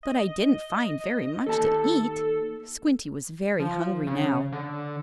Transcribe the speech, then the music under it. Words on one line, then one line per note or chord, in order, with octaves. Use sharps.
"But I didn't find very much to eat." Squinty was very hungry now.
D#5
D#2 A4 A5
F3
C#3
D3